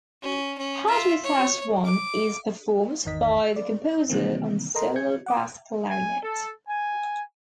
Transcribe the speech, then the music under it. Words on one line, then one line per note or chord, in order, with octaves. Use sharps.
"Hard without I" is performed by the composer on solo bass clarinet.
C#4
C#4
F4 E5
C#5
D6
G#1 E2 D#3 D#5 B6
D5
C3 D#3 E3 G3 A#3 C4
A4 A#4 D#5 A#5 C6
G#4 G6 G#6 C#7
F#5 D6 D#6
G#5
A4
G#5